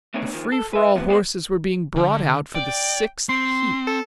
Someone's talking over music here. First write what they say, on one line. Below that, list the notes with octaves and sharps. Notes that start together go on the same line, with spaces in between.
The free-for-all horses were being brought out for the sixth heat.
A3 B3 D4 D#4 C#5 D5
D#2 D#3 F3
A4
B4 E5
A2 C3 F3 B3
G#3 B3 D#4 G4 C5 D5
D3
D5 G5
C4 C6
A4